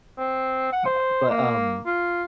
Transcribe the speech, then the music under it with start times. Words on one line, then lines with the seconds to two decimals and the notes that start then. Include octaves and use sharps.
Uh, but, um,
0.17 C4
0.72 F#5
0.86 C5
1.30 A#3
1.86 F4